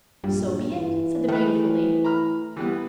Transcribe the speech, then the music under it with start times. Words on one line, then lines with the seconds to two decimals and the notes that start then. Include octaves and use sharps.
"So be it," said the beautiful lady.
0.24 A#1 G2 G3
0.73 E3
1.28 D#3 A3 B4
2.05 A#5 B5 F6
2.57 E3 G3 B3